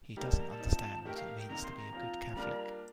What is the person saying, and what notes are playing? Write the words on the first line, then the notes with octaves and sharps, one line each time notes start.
He doesn't understand what it means to be a good Catholic.
G3 A#3 D#4 G4 A#5
A5
A#5
A5
F3 C4 D#4
A3 D#4 G4 A#4 G5
F5
F5
G5
C3 D#3 A#3 D#4 A#5
C6
A#5
F3 C4 F4
G3 A#3 D4 F4 A#4